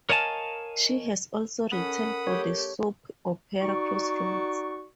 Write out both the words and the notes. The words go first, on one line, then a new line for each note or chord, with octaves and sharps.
She has also written for the soap opera "Crossroads".
A#4 C#5 D#5 F5 G#5 A5
C#4 A4 A#4 F#5 B5 D#6
A3 G4 C#5
D#4 F#4 D5 C#6